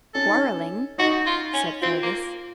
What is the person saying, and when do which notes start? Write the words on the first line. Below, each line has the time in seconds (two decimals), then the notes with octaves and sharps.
"Quarrelling," said Fergus.
0.14 C#4 A4
0.25 D#4
0.35 C#4
0.98 D#4 F#4
1.26 F4
1.54 C#4
1.81 C4 F4
2.03 A#3